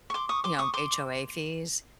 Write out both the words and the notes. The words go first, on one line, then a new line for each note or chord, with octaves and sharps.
you know, HOA fees,
C#6
C6 D6
C#6 D#6
C6 D6
C#6 D#6
C6 D6